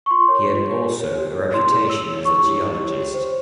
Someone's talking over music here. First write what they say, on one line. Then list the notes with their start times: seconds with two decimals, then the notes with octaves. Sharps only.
He had also a reputation as a geologist.
0.06 C#6
0.11 F4 C6
0.28 A#4 C#5
0.46 F4
0.65 A#4 C#5
0.82 G4
1.00 C#5
1.18 G4
1.36 C#5
1.54 E4 C6
1.72 G#4 C#5
1.90 E4 E6
2.07 G#4 C#5
2.25 E4 C#6
2.43 G4 C#5
2.61 E4
2.79 G4 C#5
2.97 G4
3.14 C5